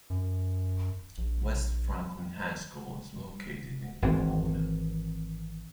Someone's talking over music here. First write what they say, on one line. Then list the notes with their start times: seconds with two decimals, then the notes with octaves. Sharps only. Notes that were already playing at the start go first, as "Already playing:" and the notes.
West Franklin High School is located in Pomona.
0.10 F#2
1.18 A#1
4.02 G#1 E3 C4